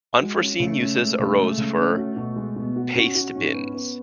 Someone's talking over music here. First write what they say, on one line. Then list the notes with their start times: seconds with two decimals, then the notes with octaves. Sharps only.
Unforeseen uses arose for pastebins.
0.20 G#3 F#4
0.40 C#4
0.60 C#3 A3
0.80 C#4
0.99 G#3
1.19 C#3
1.38 G#3
1.58 C#3
1.78 C#4
1.97 F#4
2.16 B2
2.36 G#3
2.56 B2 B3
2.76 F#4
2.95 C#4 F#4
3.15 F#4
3.34 G#2 C#4
3.54 B3
3.74 B3